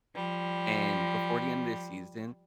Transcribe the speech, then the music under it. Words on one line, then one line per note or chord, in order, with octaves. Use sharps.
and before the end of the season,
F3 G3